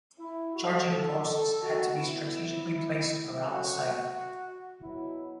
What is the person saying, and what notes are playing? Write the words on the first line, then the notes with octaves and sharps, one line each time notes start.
Charging posts had to be strategically placed around the site.
E4
A2 A3 F#4
A4
A4
F#4
A2 E3 B3 E4
F#2 F#3 A3 F#4
B2 F#3 B3 E4